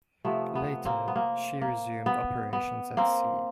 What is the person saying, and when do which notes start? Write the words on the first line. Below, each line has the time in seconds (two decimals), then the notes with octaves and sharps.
Later, she resumed operations at sea.
0.25 C3 F3 A3 B3
0.55 B3
0.85 A#3 C4
1.08 B3
1.16 A#3
1.61 A#3
2.06 B3
2.53 B3
2.97 A#3 C4